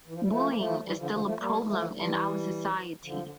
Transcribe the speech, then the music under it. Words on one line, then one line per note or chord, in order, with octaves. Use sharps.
Bullying is still a problem in our society.
E3
F3
G3
F3 A3
A#3
F3 A3
E3 G3
D3 F3
D3 F3
F3 A3
G3 A#3
F3 A3
E3 G3
D3 F3
D3